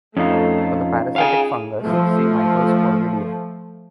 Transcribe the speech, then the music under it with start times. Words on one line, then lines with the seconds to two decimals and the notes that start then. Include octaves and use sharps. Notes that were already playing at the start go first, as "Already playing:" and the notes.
For the parasitic fungus, see Microsporidia.
0.17 F2 A3 C#4 D#4 F4
1.16 G#4 F5 G5 G#5
1.82 F3 A3